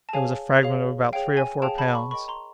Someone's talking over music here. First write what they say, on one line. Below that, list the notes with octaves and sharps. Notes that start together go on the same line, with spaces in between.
It was a fragment of about three or four pounds.
A5
G#4 C#5 F5 G#5
G#4 C#5 F5
G#4 C#5 F5 G5
G#5
G#4 C#5 F5 G5 A5
A5 B5
B5 C#6
A#4 D#5 G5 B5 C#6
A#5 C6